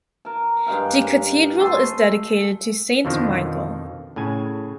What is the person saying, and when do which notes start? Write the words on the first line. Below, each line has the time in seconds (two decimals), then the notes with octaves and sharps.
The cathedral is dedicated to St Michael.
0.25 A#4 A5
0.66 G2 G#3 F5 G5
1.60 A3 A4 G#5 C6
3.05 F2 B2 D3 D#3 F3
4.16 A2 C#3 G#5